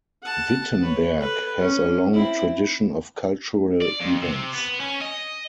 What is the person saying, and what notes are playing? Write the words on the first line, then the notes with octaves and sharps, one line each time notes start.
Wittenberg has a long tradition of cultural events.
F#5 A5
B4 C#5
A4 B4
C#4
C4 E4
D5
F2
C3
B3
C#4
D#5